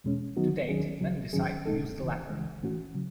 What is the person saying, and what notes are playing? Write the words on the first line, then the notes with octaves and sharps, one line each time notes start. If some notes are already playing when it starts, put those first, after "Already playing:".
To date, many decide to use the latter.
E2 B2 G#3 C#4
D#3 F#3 B3 D#4 F#4
D#2 D#3 F#3 C#4 G#4
C#2 C#3 F#3
G#2 D#3 F#3 C#4 G#4
B2 G#3 D#4 A4
C#2 C#3 E3
C#2 C#3 E3 G#3
A2 E3 A3 C#4 F#4
C#3 F#3